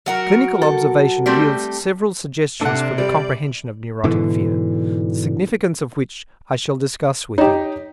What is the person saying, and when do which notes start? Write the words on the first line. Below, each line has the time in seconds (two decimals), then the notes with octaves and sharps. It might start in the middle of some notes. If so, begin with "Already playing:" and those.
Clinical observation yields several suggestions for the comprehension of neurotic fear, the significance of which I shall discuss with you.
0.06 F#3 F#4 A#4
0.62 A4
1.26 G3 A3 C4
2.61 C3 D4 A4 F#5
2.98 G3 D5
4.04 G#2 B2 D3 E3
7.38 D#4 G4 C#5 D#5 A#5